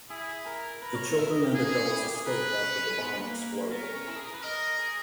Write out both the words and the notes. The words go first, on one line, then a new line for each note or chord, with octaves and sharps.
The children and adults escaped after the bomb exploded.
E4 G#4
A#4
A#4 B4
C#5
C#5
E5
D#5
G4
A#3 G#4
B3
C#4
E4
G4
G#4
A#4 B4
G#4
C#4
B3
A#3
B3 A#4
C#4
C#4
E4
G#4
A#4
B4
A#4 D#5
G#4